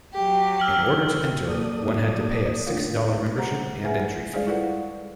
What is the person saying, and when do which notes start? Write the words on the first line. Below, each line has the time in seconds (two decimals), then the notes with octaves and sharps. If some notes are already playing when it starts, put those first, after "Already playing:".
In order to enter, one had to pay a six-dollar membership and entry fee.
0.13 F#3 G4
0.60 E6 F6 F#7
1.48 F#3 A#3 A4 D5 D#6
2.66 A3 D4 F4 A#4 C#5 F5
3.10 G#3
3.37 G3 C5 F#5 A#5
3.85 G#4 B4 E5 F#5 G#5
4.33 G3 G#3 G#4 C5 D5 F5
4.47 E4 F4 A4 B4 D5 F#5